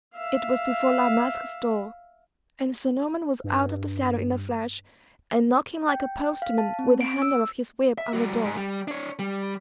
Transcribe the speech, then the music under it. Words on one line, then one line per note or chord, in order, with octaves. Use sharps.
It was before La Masque's door; and Sir Norman was out of the saddle in a flash, and knocking like a postman with the handle of his whip on the door.
E5 F5
G2
G5
F5
A5
C4
D7
E6
E5
G3 F#4
G#2
G3
D4 C#5
G3